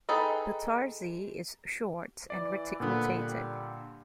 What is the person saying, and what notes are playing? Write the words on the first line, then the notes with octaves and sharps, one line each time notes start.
The tarsi is short and reticultated.
D#4 G#4 A4 B4 G5
E3 D5
A#2 D3 B3
G3